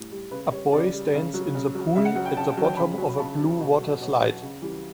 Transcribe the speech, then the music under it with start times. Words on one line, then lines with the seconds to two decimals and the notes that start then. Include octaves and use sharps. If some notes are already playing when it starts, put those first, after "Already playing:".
A boy stands in the pool at the bottom of a blue water slide.
Already playing: A2 G3
0.12 G3
0.31 C#3 B4
0.52 G3 C#5
0.73 C#3 D5
0.93 G3
1.14 C#3
1.34 F#3
1.55 C#3
1.75 F#3
1.95 C#3 E5
2.05 F#5
2.15 F#3 F#5
2.26 G5
2.37 C#3 A5
2.51 G5
2.57 F#3
2.64 G5
2.77 C#3 B5
2.98 F#3
3.18 C#3 A5
3.39 F#3
3.59 B2
3.80 F#3
4.01 B2 C#5
4.21 F#3
4.42 C#3
4.62 E3 G3